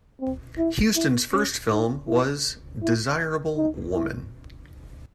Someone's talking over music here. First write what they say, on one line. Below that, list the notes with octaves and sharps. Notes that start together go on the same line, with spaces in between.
Huston's first film was "Desirable Woman".
C4
E4
E4
C#4
D#4
E4
E4
D#4
E4